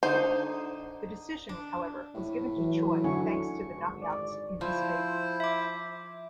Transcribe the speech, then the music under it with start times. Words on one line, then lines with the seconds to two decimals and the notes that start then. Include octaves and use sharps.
The decision, however, was given to Choi thanks to the knockouts in his favor.
0.03 D3 D#4 C5
1.49 D4
2.14 A#1 A2
2.56 E3 F#3
3.04 D3 E4 G#5 C#6
3.62 G#1
4.01 D5
4.61 F3 E4 C5
5.40 E5 D6